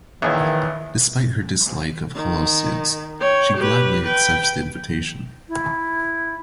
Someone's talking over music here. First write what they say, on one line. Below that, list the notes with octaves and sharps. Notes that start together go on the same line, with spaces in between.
Despite her dislike of holosuites, she gladly accepts the invitation.
A#1 D#3 E3 G#4 C#5 E5
D#3
C#5 G5
G4 B4
B4 G5
E4